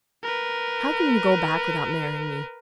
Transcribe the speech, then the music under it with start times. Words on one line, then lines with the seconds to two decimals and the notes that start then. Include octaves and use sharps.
How can you go back without marrying me?
0.23 A#4 B4